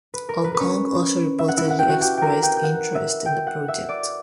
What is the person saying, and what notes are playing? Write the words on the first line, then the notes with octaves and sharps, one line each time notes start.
Hong Kong also reportedly expressed interest in the project.
B4
A#4
B4
B4
C#4 C#5
E5
F#5
E4 E5
F#5
G5
F#4 F#5
G4 G5
A#4 G5 A#5
G5 G6
G6
F#5 F#6
E5 E6
G5 G6
F#5 F#6
E5 E6
D5 D6